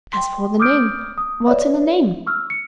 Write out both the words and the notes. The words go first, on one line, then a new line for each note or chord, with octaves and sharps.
As for the name--what's in a name?
G5 C6
D6 D#6 F6 G6 D7
D#6
B4 C#5 D5 E5
C#6 E6 F6
C#7